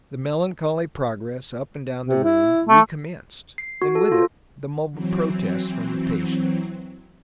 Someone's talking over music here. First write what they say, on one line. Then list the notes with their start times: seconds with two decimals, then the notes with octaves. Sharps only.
The melancholy progress up and down the room re-commenced, and with it the mumbled protests from the patient.
2.07 C3
2.24 E4
2.69 A3
3.58 C7
3.82 F#4
3.95 A4
4.12 F4
4.92 E3 F#3 C4